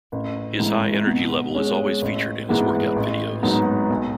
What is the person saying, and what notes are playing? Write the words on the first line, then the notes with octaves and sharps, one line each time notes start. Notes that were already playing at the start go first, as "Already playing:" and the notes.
His high energy level is always featured in his workout videos.
A1
G#2 E3
B2
G#3 C#4
A1
G#2 E3 G#3 B3
A1
G#2 F#3 B3 D#4
B1